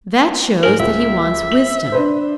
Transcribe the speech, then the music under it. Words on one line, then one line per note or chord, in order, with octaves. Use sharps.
That shows that he wants wisdom.
G#2 A#4 G#5 F#7
C#2 E5
F#7
D4 B4 C5